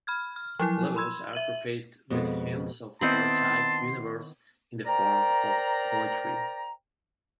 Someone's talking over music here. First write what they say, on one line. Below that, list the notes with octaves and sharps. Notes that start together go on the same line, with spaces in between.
Levels are prefaced with hints of the R-Type universe in the form of poetry.
B5 F6 G#6
F6
F3 F#3 E4
B5 C6 E6 G#6
E5 D#7 F#7
F2 B2 G#3
D#3 B3 C4 E4 D#5 A5 B5 C6
A#4 C5 D5 G5 A#5